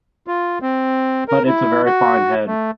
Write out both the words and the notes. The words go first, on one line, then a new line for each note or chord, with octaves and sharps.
But it's a very fine head.
F4
C4
A#4
E4
F#4
A3